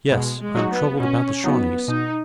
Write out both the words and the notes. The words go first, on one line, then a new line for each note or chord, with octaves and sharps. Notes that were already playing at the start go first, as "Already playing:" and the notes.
Yes, I am troubled about the Shawnees.
B2 G#3
G#3
F#3 D#4 F#4
B3
B2 C#4
F#3 B3 D#4 F#4
B2 D#4